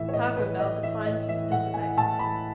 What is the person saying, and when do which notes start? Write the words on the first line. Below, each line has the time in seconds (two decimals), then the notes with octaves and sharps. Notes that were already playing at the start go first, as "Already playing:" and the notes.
Taco Bell declined to participate.
Already playing: A2 E3 E5
0.08 C#5
0.13 A2 D#5
0.37 E3 B4
0.59 A2 D#5
0.83 E3 E5
1.06 A2 D#5
1.28 E3 E5
1.51 A2 F#5
1.74 E3 G#5
1.97 A2 A5
2.19 E3 B5